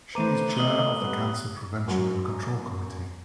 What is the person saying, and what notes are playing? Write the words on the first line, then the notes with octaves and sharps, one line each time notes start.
She is Chair of the Cancer Prevention and Control Committee.
A3 B4 C5 A#5 D6 D#7
D#5 D#6 F#7 G7
G3 B3 B4
F#2 F#3